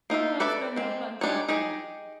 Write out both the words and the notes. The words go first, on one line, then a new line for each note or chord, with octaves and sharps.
Well, it's been real fun talking to you.
A#3 D#4 F4 E5
A4 B4 D5 E5 B5
G#3 C4
G3 D4 D#4 C#5
D#4 G4 G#4 D#5